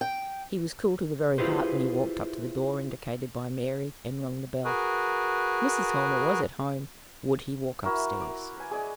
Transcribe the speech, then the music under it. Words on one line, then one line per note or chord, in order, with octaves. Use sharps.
He was cool to the very heart when he walked up to the door indicated by Mary, and rung the bell: Mrs. Helmer was at home: would he walk up stairs?
G5
E4 F4 G4 G#4 B4 C5
F#4 G#4 A#4 B4
E4 F#4 A#4 E5
D6
B4 G#5
G#4 D5 D#5